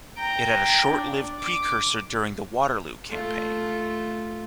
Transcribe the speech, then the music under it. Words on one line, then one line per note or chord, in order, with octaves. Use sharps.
It had a short-lived precursor during the Waterloo Campaign.
G5 A#5
D4
D6
A3 F4